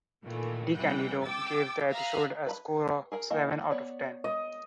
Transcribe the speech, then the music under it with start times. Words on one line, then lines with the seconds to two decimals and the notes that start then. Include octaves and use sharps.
DeCandido gave the episode a score of seven out of ten.
0.23 A#2 D#3 E3 A3
0.73 C2 E3 F#5 G5
1.23 G5 D6 E6 A6
1.91 E5 F5 A#5 D#6 F6 F#6
2.46 B4 A#5 B5
3.12 G#4 A#4 B5
3.30 E3 A#3 D#5
3.71 B3 C#5 D5
4.24 D#5